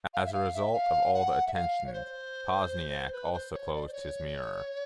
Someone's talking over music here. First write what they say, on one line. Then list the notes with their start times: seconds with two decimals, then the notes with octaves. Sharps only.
As a result of all the attention, Pozniak also closed his mirror.
0.14 F5
0.26 E5
0.33 F5
0.54 E5
0.73 F5
1.14 F#5
1.47 E5
1.53 F5
1.87 C#5
1.93 C5
3.13 B4
3.33 C5
3.53 C#5
3.73 D5
3.87 C5
3.93 C#5